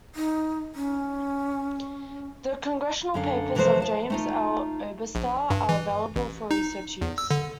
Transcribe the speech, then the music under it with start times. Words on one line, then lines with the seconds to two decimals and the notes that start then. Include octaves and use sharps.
The Congressional Papers of James L. Oberstar are available for research use.
0.15 D#4
0.75 C#4
3.14 F#2 D3 F5
3.55 C3 E3 F3 A3 B4 C5
3.80 F5 A5
4.10 A3 D#4 F4
5.15 A#1
5.50 G2
5.69 E3
6.16 A1
6.51 D#4
7.01 E2
7.18 E6
7.31 D3